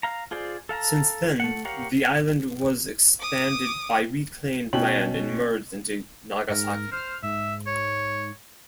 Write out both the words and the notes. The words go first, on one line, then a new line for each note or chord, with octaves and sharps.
Since then, the island was expanded by reclaimed land and merged into Nagasaki.
F5 A#5
F4 G#4 C5 D5
A4 F5 A5 A#5
A3 F#5
G4 A#4 C#5 F5 F#5
D6 D#6
B2 C#4 G5 F#7
G#2 A#4
C5 F6
G#2 E5
C#5